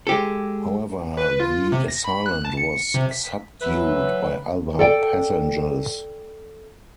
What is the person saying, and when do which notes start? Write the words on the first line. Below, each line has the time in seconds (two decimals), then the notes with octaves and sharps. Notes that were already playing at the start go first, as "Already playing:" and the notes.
However, the assailant was subdued by other passengers.
0.07 G#3 G4 A4
1.17 B4
1.40 F4
1.72 C3
1.88 A#6
2.04 B5
2.26 F#6
2.45 A5
2.57 C#7
2.94 C3
3.11 B6
3.62 E3 F#3 B4 E5
4.79 A4 D5 G5